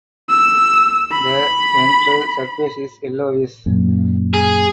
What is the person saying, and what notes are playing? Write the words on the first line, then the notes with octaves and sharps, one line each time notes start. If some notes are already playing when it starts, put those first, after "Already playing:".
The ventral surface is yellowish.
E6
B5
F#2 A#2
G#4